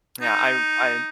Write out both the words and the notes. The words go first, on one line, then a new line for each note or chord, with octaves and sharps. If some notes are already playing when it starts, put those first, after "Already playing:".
Yeah, I r I
D#4